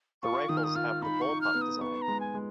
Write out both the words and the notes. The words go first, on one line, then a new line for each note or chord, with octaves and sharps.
The rifles have the bullpup design.
F4 C#6
D#3 D#6
F6
D#6
F4 F6
D#4 B5
C#6
D#4
F6
B3
D#6
B3 C#6
A#5
G#3
G#5
G#3